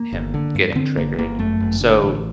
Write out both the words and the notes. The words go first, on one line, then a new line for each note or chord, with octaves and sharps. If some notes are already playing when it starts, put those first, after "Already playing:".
him getting triggered so
Already playing: A#3
G1
D3
G2
D3 C4
G1 A#3
G1 A#3
F#2 A3
G1
D3
A1